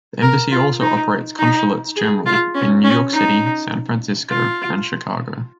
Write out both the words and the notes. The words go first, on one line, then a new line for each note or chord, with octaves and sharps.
The embassy also operates Consulates-General in New York City, San Francisco, and Chicago.
A#4
F4
D#4
D#4
G#4
F4
C#4
C#4
D#4
F4